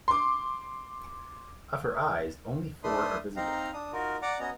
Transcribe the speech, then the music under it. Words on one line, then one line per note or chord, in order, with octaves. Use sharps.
Of her eyes, only four are visible.
C6 D6
A3 D4 B5 C6 D#6
C4 D#4 F5 A#5
D4 D#6
D#4 F4 F#4 A#4
D5 F#5 A#5 D6
B3 C#4 F#4 D#5 A#5